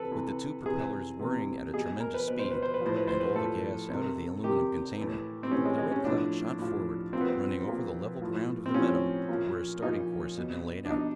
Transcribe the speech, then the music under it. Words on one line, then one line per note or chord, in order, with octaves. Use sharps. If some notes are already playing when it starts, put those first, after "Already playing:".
With the two propellers whirring at a tremendous speed, and all the gas out of the aluminum container, the Red Cloud shot forward, running over the level ground of the meadow, where a starting course had been laid out.
Already playing: C3 E3 A4 B4
C3 E3
C3 E3 G#4
C3 E3
B2 G#4
A#4
B4
B2 B4
C5
B4
C5
B4
A2 F3 C5
B4
C5
B4
A2 F3 A4
C3 D#3
C3 D#3 G4
A2 E3
C4
A2 E3 C#4
G#3
G#3
C#4
A2 F3 D4
A2 F3
A#2 C4
F3 B3
C4
A#2 F3
A2 F3
C4
A2 F3 C#4
A#2 F3
A#2 F3 D#4
B2
D4
B2 D#4